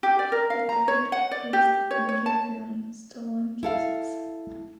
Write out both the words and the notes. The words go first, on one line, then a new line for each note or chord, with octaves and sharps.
The third is the feature film "Stolen Kisses".
G4
D5
A#4
F5
A#5
C#5
F#5
D5
G4
C#5
C#5
A5
E4 A4 F5